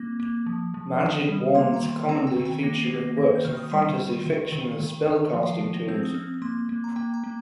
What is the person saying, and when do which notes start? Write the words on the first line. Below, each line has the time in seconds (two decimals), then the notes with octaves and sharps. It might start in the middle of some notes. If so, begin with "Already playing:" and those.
Magic wands commonly feature in works of fantasy fiction as spell-casting tools.
Already playing: A#3 C4 A#6
0.20 A#3
0.46 F3
0.74 F3
1.00 D#3 D#6
1.28 G3
1.55 A#3 C6
1.74 A#5
1.83 D#3
1.92 C6
2.09 C4 A#5
2.27 G5
2.37 D#3
2.45 G5
2.63 A#3 A#6
2.81 C7
2.91 A#3
3.00 A#6
3.17 D#3 A#6
3.35 G6
3.45 D#3 F6
3.57 D#6
3.71 G3 C6
3.98 D#3
4.26 D#3
4.52 D#3
4.80 D#3
5.07 D#3
5.33 F3
5.47 C7
5.61 F3
5.74 A#6
5.88 C4 G6
6.03 D#6
6.14 C4 F6
6.42 A#3 C6
6.69 A#3
6.84 A#5
6.96 A#3 G5
7.14 A#5
7.24 A#3